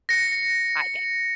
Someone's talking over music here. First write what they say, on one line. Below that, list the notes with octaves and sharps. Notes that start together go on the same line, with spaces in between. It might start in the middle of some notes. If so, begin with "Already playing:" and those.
I think.
A#6 C#7